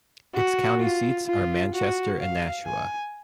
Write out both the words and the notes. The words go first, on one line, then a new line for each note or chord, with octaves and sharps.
Its county seats are Manchester and Nashua.
F#4
F4
F4
F#4
F5
G#5